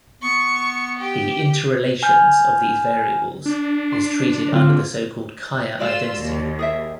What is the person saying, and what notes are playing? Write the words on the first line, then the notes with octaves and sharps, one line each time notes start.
The interrelations of these variables is treated under the so-called Kaya identity.
B3 C#6
G4
G#5 F6 G6
D4
C6
D3 C4 F4
A3 F4 F#4 D5 F5 E6
D#2
G#4 A#4 E5